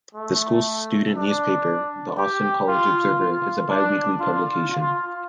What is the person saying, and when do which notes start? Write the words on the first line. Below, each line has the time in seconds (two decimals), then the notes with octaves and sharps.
The school's student newspaper, the Austin College "Observer", is a bi-weekly publication.
0.15 A3
1.17 D4
2.18 G4
2.68 F4
3.19 F4
3.70 D4
4.20 F4
4.71 F4